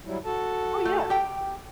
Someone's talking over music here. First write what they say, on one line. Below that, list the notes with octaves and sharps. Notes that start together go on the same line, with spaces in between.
Oh, yeah.
F#3 G3 E4
F#4 A4 A5
A3
G4 G5